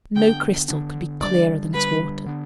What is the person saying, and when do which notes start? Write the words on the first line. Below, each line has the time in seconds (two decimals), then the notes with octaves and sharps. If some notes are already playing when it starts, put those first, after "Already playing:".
No crystal could be clearer than its waters.
0.16 D3 B3 D4 G5
0.68 D3 B3 D4
1.21 D3 G3 D4 D5
1.73 D3 G3 D4 B4
2.26 D3 B3 D4